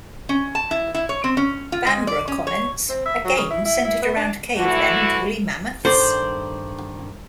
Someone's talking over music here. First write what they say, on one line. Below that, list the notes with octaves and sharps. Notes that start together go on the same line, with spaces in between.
Bambra comments: A game centered around cavemen and woolly mammoths?
C#4
A5
E4
E4
C#5
C4
C#4
F4
G#3
D5
C#4
C#5
C4
E5
F#3
C#3
E4
E4
E4
B3
D4
D3 E3 A3 E4 F#4
G2 D#3 A4 C5 D5